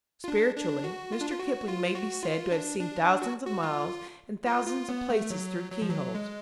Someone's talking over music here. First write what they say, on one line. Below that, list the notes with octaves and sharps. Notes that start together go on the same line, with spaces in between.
Spiritually, Mr. Kipling may be said to have seen thousands of miles and thousands of places through keyholes.
F4
D4
D4
F#4
F4
D4
F4
F#4
F4
F#4
F4
D4
D4
F#4
F#4
F4
F4
F4
B3
A3
F#3
F#3
F3
F#3
G#3